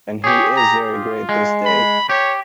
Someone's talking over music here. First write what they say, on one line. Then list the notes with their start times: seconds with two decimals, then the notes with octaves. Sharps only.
And he is very great this day.
0.24 G4 G#4 C#5
0.56 A#5
0.92 F4
1.29 G#3
1.65 B5
2.09 G4 C#5